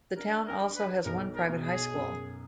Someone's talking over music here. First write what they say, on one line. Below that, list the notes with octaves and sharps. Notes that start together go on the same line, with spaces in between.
The town also has one private high school.
D4 A#4
A#4
D4
B4
B1 A#4
A#4
B2
G#4
F#2